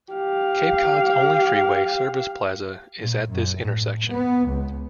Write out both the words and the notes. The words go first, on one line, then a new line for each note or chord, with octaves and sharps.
Cape Cod's only freeway service plaza is at this intersection.
G4 F5
A#2
F#2
A2
B3
C#2